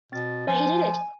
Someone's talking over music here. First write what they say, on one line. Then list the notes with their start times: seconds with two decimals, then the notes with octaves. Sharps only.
But he did it!
0.12 B2 C4 A6
0.48 F3 G#5